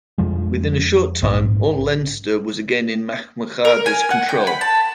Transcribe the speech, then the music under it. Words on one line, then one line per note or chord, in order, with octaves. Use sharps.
Within a short time, all Leinster was again in Mac Murchada's control.
F2 F3 G#3
A#1 G#2
A#4
G#5
F#5
G5
B5
A5